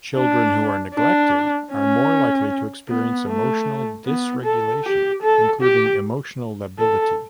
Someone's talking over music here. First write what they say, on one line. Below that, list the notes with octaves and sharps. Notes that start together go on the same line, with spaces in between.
Children who are neglected are more likely to experience emotional dysregulation, including emotional lability.
D4
D4
C#4
B3
A3
B3
A4
G4
A4
G4
A4